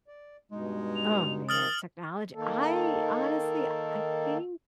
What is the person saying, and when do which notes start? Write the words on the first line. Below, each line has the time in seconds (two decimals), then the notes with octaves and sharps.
Oh, man, technology I honestly I think
0.08 D5
0.52 G2 B2 G#3 D#4
0.96 F7
1.49 D#3 F3 D#6 F6 A6 F#7
2.35 D#3 A#3 A4